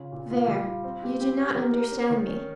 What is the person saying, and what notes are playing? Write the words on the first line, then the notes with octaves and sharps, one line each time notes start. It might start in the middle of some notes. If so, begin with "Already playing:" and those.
There--you do not understand me.
Already playing: C#3 C#4 F4
A#2
F4
G3
F4
C4
G4
G4
G4
A#4
A#4
C#4
D#3
C#4